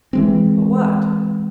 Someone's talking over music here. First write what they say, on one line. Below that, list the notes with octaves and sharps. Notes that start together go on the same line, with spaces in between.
But what?
E3 G#3 C4